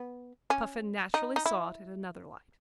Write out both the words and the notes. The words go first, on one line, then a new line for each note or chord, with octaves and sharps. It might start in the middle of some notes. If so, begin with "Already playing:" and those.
Puffin naturally saw it in another light.
Already playing: B3
C#4
D#4
D#4
E4